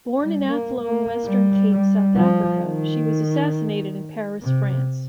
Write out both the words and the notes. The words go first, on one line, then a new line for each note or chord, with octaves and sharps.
Born in Athlone, Western Cape, South Africa, she was assassinated in Paris, France.
G3
A#3
A#3
G3
G3
F3
D#3
C3